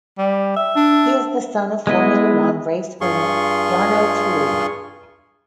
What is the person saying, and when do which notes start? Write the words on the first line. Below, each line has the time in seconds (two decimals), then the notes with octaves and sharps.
He is the son of Formula One race winner Jarno Trulli.
0.18 G3
0.56 E5
0.76 D4
1.87 G#3 B3 E4 D#5
3.01 G2 F4 G#4 C6 C#6